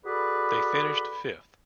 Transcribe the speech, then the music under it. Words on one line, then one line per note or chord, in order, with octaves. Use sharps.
They finished fifth.
F#4 G#4 A4 B4 D5 B5